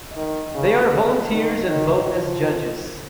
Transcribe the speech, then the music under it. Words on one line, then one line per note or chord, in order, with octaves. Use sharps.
They are volunteers and vote as judges.
D#3
C#3
C#3
D#3
D#3
F3